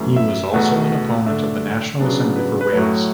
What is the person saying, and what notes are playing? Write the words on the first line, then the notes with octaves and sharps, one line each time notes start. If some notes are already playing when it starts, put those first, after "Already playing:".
He was also an opponent of the National Assembly for Wales.
Already playing: F#2 E3 A3
E5
E2 B2 A3 F#5
D3 A3 D4 E5
C#3 F#3 B3 D4
B4
B4
A2 F#3 A3 C#5